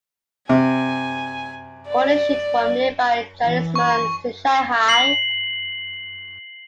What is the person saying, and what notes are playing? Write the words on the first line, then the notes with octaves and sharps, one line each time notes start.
Coal is shipped from nearby Chinese mines to Shanghai.
C3 G#5
D5
E3
C#6
C7 F#7